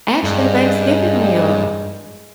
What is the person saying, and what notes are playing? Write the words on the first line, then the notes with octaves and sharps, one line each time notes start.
Actually, Thanksgiving meals,
G2 G#3